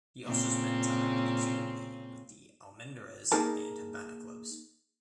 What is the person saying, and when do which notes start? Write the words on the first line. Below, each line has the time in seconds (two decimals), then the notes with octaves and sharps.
He also spent time in the Cuban League with the Almendares and Habana clubs.
0.24 A#2 C#3 C4
3.32 A#3 D#4 G#4 A#4 A5